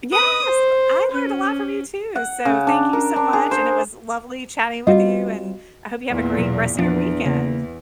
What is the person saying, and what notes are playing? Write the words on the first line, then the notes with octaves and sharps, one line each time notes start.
Yes, I learned a lot from you too, so, thank you so much, and it was lovely chatting with you, and I hope you have a great rest of your weekend.
B4 D#6
C5
C#4
F#5
C#3
D4
A#4
D4
G#4
C5
G3 C4 F4 F#4 D#5
E2 A#2
B2 F#3
E2 F3 C4 D4
C#3 A#3